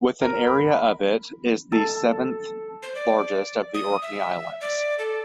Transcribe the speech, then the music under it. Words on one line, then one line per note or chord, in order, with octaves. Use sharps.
With an area of it is the seventh largest of the Orkney Islands.
A#4
B5
A4
C5
D5
D#6
E5
D5
A4